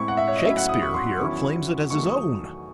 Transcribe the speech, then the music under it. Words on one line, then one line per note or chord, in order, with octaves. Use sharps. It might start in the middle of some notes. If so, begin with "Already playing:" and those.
"Shakespeare here claims it as his own."
Already playing: A2 G#3 C4 E4 C#6
F#5
E5
C#5
D#5
A2 F#3 C#4 E4 E5
F#5
D#6
C#6
C6
C#6
E2 D#3 F#3 C#4 E4 C#6
E2 D#3 F#3 A3 D#4 C#6
C#6
D#6